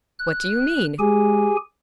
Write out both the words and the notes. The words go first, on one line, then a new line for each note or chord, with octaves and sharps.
"What do you mean?"
F#6
G#3 G4 G#4 G#5